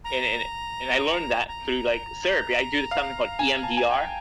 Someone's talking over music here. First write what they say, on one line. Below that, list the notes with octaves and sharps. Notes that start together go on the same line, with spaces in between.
and and and I learned that through, like, therapy. I do something called EMDR,
A#5
A#5
F5
G#5
A5
G#5
G5